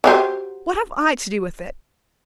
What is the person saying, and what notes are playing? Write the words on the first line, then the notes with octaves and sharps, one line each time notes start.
What have I to do with it?
F#3 G4 C5